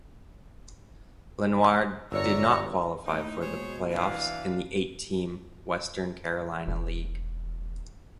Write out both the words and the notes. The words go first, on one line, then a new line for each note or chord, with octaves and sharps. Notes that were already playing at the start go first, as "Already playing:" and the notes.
Lenoir did not qualify for the playoffs in the eight–team Western Carolina League.
G1 F#2 C#5 D5 A#5 E6 C#7
D#2 A3 D#4 E4
B2 G#3 A#3 G#4 C5 C#5
E3 D4 F5
E1